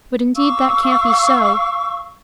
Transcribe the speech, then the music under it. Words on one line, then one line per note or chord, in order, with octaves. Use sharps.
But indeed that can't be so.
F5 C#6 D6 E6